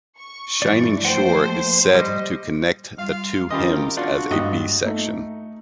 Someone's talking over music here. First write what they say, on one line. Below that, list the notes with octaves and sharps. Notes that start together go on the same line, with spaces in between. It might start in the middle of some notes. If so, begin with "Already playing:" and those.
"Shining Shore" is said to connect the two hymns as a B section.
C#6
G2 E3 D5
F3 A3 A#3 C5 F#5 G5
G3 D#5
G3 F4 F5
D#3 C#4 F4 G4 A#4 D#5 B5
D4 F4 F#4 D5
G2 G#3 A#3 B4 D#5
A3 D#4